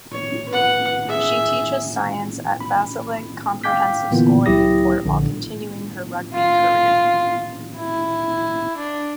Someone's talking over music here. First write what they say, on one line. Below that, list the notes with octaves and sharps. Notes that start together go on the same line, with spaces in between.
She teaches science at Bassaleg Comprehensive School in Newport while continuing her rugby career.
C#5
B4 F#5
G#4 E5
B5
F5 G5 D6 G6 B6
A#2 D3 E3 A#3 B3 F4
C#2 F#3 E4 G4 D#6 A#6
A#1 D3
F4
E4
D4